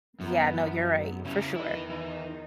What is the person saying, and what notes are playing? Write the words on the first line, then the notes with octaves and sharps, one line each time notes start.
Yeah, no, you're right, for sure.
F#2 B3
C#3 G3 C#4 E4
E2 D#3 D#4 E4 B4
E3